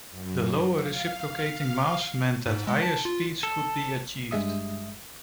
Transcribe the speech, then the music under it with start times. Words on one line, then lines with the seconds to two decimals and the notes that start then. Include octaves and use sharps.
The lower reciprocating mass meant that higher speeds could be achieved.
0.10 F#2
0.74 F5
2.46 G#2
2.67 G#3
2.82 A5
3.05 F4
3.43 A4
4.31 G2 G#3 E5 D#6